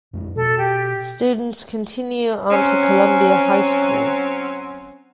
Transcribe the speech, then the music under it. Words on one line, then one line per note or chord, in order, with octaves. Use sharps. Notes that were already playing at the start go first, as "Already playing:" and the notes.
Students continue on to Columbia High School.
F2 G#3
B2 A4
G4
F#3 C4 C#4